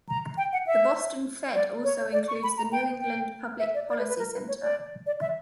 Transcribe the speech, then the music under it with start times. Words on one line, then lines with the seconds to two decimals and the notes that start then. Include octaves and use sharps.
The Boston Fed also includes the New England Public Policy Center.
0.09 A#5
0.37 G5
0.53 F#5
0.67 E5
1.55 D5
1.84 C#5
2.13 D5
2.28 C#6
2.43 B5
2.58 A#5
2.72 G5
3.01 G5
3.59 E5
3.74 D5
3.89 D5
3.98 B4
4.09 B4
4.19 A#4
4.33 B4
4.48 C#5
4.62 D5
5.06 D5
5.21 E5